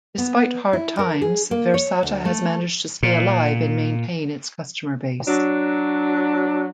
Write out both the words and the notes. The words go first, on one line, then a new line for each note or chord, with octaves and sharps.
Despite hard times, Versata has managed to stay alive and maintain its customer base.
B3
E4
A#4
G#4
A#3
C#5
D2
A3
A#2
F#3 D4